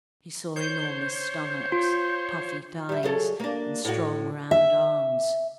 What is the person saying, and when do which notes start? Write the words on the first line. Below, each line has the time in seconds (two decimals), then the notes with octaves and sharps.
He saw enormous stomachs, puffy thighs, and strong round arms.
0.56 C5 C#5 G6
1.72 F4
2.89 G3 E5
3.03 F#3 G#4 A4
3.40 A#3 D4
3.85 A2 F#4
4.51 E5